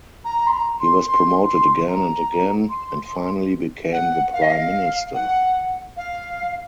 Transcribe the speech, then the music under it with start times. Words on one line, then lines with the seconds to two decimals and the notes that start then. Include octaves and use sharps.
He was promoted again and again, and finally became the prime minister.
0.25 A#5
0.47 C6
0.51 A#5
0.79 C6
1.07 C6
1.47 C6
1.88 A#5
2.69 C6
3.92 F#5
4.33 F5
4.42 D#5
4.50 F5
5.14 F#5
5.97 F5